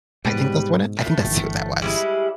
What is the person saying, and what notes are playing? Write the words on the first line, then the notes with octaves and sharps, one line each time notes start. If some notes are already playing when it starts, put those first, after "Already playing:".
I think that's what it I think that's who that was.
G#2 B2 G3 B4
A2 A3
G1 E3
G3 G#3 E4